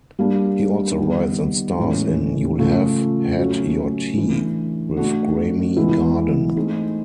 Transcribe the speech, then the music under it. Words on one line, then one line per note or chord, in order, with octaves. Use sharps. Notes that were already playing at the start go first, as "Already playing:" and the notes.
He also writes and stars in "You'll Have Had Your Tea" with Graeme Garden.
G3 A#3 D4
D#3 G3 B3
A2 E3 G#3 C#4
C#3 F3 A3
F#3 A3 C#4
E3 A3 D4
A3 D4 F#4
E3 G#3 B3 E4
A3 C4 D#4 G#4